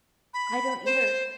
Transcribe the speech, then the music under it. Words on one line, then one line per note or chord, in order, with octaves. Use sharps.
I don't either.
B5
C5